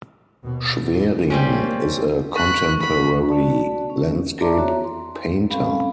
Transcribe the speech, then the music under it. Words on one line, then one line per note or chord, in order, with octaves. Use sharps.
Schwering is a contemporary landscape painter.
D#2 B2
E2
G3 A3 A#3 C4 C#4
B5 C#6 F#6
B5
F#4 D5 A5
C#4
D5 E5 A5 A#5 C6 D6
B3 F#4 C#5 E5 A#5
C6
G3 C4 C#4 A4 F5 B5